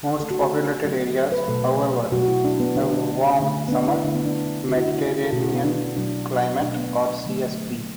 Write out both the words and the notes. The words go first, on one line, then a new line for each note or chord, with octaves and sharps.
Most populated areas, however, have a warm-summer Mediterranean climate, or "Csb".
D3 A3 A4
F#4
A4
D3 F#3 A3
A4
B4
B2 F#3 A3 A4
B2 F#3 A3 F#4
F#4
E4
D4
B3
D3 A3 D4
D4
D3 A3
B3
D4
E4
D3 A3 D4
B3
D4
D3 A3 F#4
E4
D4
E4
A4
B2 A3 F#4
E4
D4
B3
D4
B2 F#3 A3 D4
B2 A3 D4
B3
D3 F#3 A3